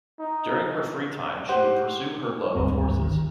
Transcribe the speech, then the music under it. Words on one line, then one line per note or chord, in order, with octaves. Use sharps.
During her free time she would pursue her love of horses.
D#4
G4 C5 F#5 C6
G#1 D2 G2 C4
D#3